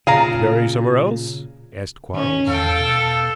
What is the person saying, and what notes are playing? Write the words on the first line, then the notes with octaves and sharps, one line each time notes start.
"To bury somewhere else?" asked Quarles.
A#2 C#3 G#4 F5 A#5
G#2 D#3 C#4
E2 A4 F5 G5
B2